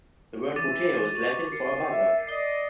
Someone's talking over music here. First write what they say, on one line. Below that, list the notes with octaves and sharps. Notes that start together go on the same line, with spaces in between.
The word "buteo" is Latin for a buzzard.
E3 D6 A6 D#7
F#4
A#4 C7 C#7
E5
D5 D#5 C7 G7